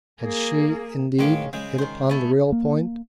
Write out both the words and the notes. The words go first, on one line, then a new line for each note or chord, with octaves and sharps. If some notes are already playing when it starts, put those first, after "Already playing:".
Had she indeed hit upon the real point?
A#3 G#4
A1 D#3 G#3 C#4 F5 D6
C#3 G#3 C4
D#3 C5
A3 B3 E4
A#3